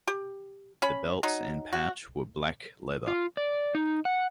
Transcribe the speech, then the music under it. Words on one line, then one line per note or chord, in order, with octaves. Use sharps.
The belts and pouch were black leather.
G4
C#4 B5
F#3 D#4
F#4
F4
D5
D#4
F#5